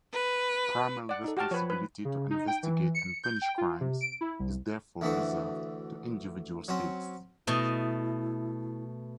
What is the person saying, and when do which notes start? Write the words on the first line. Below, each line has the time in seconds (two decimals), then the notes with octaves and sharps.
Primary responsibility to investigate and punish crimes is therefore reserved to individual states.
0.13 B4
1.09 D5 F#5
1.24 D#4 A4
1.37 F#4 G4 G5 A5 F6
1.51 F3 B4 C#5 B5
1.70 B4
2.05 C#3
2.30 D#4
2.48 G5
2.63 E3
2.95 C#7
3.24 G6
3.42 G5
3.58 F4
3.81 C3
4.01 D7
4.21 E4
4.39 C2
5.01 D2 E3 A3 F#4
6.68 F#3 C4 C#4
7.47 B2 A3 E4 D#5